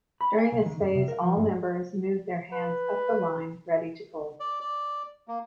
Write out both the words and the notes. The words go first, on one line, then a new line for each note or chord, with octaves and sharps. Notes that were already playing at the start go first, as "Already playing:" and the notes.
During this phase all members move their hands up the line ready to pull.
B5
G#5
B1
D#3
F#2
C3
A#4
F3
G2
B4
D5
D5
A#3